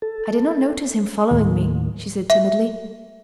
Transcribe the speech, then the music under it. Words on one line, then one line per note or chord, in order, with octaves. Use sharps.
"I did not notice him following me," she said timidly.
A4
D#2 A2 D#3
E5